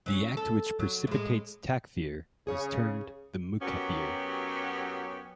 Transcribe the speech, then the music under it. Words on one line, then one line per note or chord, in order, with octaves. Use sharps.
The act which precipitates takfir is termed the mukaffir.
F#3 C#4
A4
F#3
A2 G#3
C#3 G#4 C#5
F#2 F#3 B3 C#4 G4